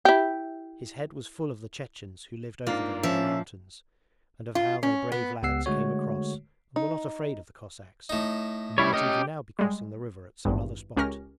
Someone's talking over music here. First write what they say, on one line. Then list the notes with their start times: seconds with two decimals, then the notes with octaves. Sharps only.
His head was full of the Chechens who lived over there in the mountains, and of how their brave lads came across and were not afraid of the Cossacks, and might even now be crossing the river at some other spot.
0.05 E4 G4
2.67 G#2 A#3 D4 F4
3.03 F3 C#4 E5
4.55 F4
4.83 C#4
5.12 B3
5.43 C#2 B3 G4 F#5 E6 C7
5.66 D3 G#3 A3 F#4 C#5
6.76 D#4
8.09 A2 D#4
8.78 G3 C#4 E4 C#5
8.94 C#4 G4 D#5
9.59 G3 G#3
10.45 G#1 E2 G2
10.97 C#2 C#4 G4 A#4 F6 A#6